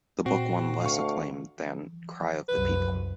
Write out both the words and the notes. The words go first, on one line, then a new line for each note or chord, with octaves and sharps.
The book won less acclaim than "Cry of the People".
A#2 C4 F#4
D2 F5 C#6
C2 F#2 B4